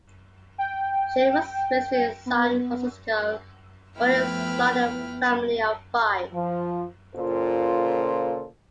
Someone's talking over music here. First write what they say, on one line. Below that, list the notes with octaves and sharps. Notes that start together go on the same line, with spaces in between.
Shelley was raised in San Francisco, the only son in a family of five.
G5
B3
F3 A3 B3 E4 B4 G5 F6
F3
A#2 C#3 F4 A4 C5